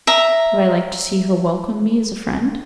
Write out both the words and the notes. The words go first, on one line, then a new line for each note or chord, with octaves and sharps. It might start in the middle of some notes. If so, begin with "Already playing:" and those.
Would I like to see her welcome me as a friend?
E5 A#5